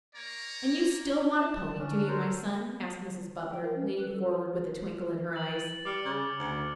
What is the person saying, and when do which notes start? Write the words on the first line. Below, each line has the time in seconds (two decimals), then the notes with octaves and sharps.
"And you still want a pony, do you, my son?" asked Mrs. Butler, leaning forward with a twinkle in her eyes.
0.14 A#3 C#5 D5 A#5
1.36 A5
1.79 D3 C#4 D4
2.08 A4 A#4 C5
3.50 G5
3.63 A#4
3.76 C#4
3.96 B4
4.08 A4
5.33 A6 F#7
5.85 G3 D6 F6 C#7
6.05 C#3
6.39 D2